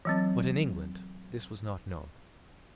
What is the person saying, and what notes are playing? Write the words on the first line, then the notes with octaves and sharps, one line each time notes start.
But in England this was not known.
E3 F#3 C4